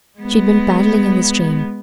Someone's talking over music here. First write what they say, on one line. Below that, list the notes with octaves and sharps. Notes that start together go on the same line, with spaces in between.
She'd been paddling in the stream.
G#3 B3